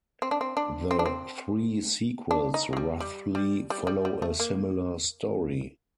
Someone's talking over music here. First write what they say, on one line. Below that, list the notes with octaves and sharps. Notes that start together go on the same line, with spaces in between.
The three sequels roughly follow a similar story.
C4
D4
C4
D4
C4
D4
C4
D4
D#4
F#3
G3
G3
G3
G3
G3
G3
A3
A#3